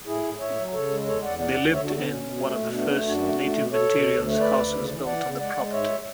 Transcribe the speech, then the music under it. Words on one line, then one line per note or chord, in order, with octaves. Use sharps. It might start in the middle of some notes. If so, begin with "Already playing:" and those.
They lived in one of the first native-materials houses built on the property.
A2 E4 G#4
A2
A2 C#5 E5
F#3
C#3 A4 C#5
G#3
E2 A4 C#5
E2 D5 F#5
D2 D5 F#5
D2
D3 C#5 E5
D4 F#4
D3
B3
B2 C#4
B2
A3
B2
A3 B3 D4
A3
F#2 D4 F#4
A3
A3
B2
B2 A4 C#5
B2
D2
A3
D2 B4 D5
D2
C#3
E3
E3 D5 F#5
C#3
G#3 D5 F#5
G#3
G#2 C#5 E5